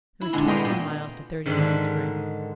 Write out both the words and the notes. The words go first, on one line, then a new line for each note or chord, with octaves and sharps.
It was twenty-one miles to Thirty Mile Spring.
E4
A#2 D3 G#3 C4
B3 D#5 G5 A#5 C6
A#2
G#2 D3 D#3